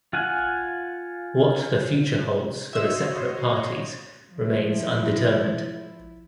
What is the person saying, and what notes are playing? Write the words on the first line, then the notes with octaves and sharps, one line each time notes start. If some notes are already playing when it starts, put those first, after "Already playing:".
What the future holds for the separate parties remains undetermined.
F4 F#5 G#5
F#4 C5 C#5 D#5 E5 E6
F3 E4